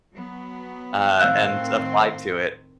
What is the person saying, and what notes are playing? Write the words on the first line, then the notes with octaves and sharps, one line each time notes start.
uh, and applied to it.
F#3 B3
A2 D#3 C4 F5 E6 F#6